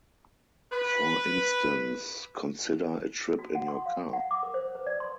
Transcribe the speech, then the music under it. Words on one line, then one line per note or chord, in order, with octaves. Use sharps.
For instance, consider a trip in your car.
B4
F#4
F#5
C6
F5
F#5
D6
A#4
C5
B4
D5
C6